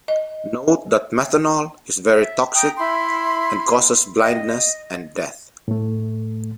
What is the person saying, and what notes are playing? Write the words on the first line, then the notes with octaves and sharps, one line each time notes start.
Note that methanol is very toxic and causes blindness and death.
D#5
E5
G5 A#5 D#6 G6
E4 E5 B5 C6
D#5
A2 A3